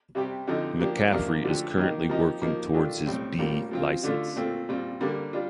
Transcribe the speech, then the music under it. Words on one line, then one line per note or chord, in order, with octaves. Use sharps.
McCaffrey is currently working towards his B licence.
C3 G3 C4 G4
D3 F3 C4 D#4
F3 A#3 D4 G4
C3 F3 A#3 D4 F4
D3 F3 A3 D4 G4
D#3 A#3 D#4 G4
F3 A#3 D#4 G4
F3 A#3 D#4
D#3 A3 D4 F4
A2 G3 C4
A2 G3 A#3 F4
F3 C4 F4
D3 A3 D4 F4
A#2 A3 C4 F4
A#2 G3 C4 F4
D3 G3 A#3
G3 D4 F4